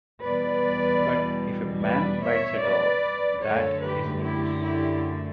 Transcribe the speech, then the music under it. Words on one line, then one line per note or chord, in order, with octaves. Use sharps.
But if a man bites a dog, that is news.
E2 B2 G3 B4 D5
B4 D5
C#5 E5
B4 D5
F#2 D3 A3 A4 C#5
G4 B4
E4 G4
E4 G4